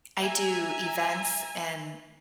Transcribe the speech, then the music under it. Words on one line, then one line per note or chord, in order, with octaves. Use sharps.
I do events, and,
E5 G#5 A#5